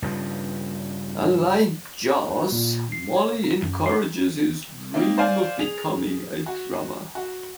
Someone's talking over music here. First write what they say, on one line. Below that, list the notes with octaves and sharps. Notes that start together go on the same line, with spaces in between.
Unlike Zosh, Molly encourages his dream of becoming a drummer.
G2 C#3 F3
A#2
C7
C#5
A#5
F#2
C7
A#3 C4 D#4
C5 D5 F5 G#5
G#4 F7
F#4
F#4